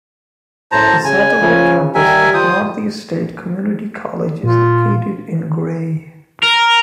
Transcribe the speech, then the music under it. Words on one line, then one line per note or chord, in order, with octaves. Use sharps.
A Satellite campus of Northeast State Community College is located in Gray.
F#2 A2 C5 A5 A#5
C#3 G#5
C#3 F3
D#3 G3 G4 A#4 E5 G#5
F4 C5 D#6
A#2 F4
A#4